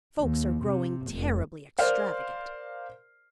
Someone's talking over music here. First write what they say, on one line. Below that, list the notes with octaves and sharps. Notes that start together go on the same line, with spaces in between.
"Folks are growing terribly extravagant."
D#2
C3
F1
A#4 C5 D5 F5 F6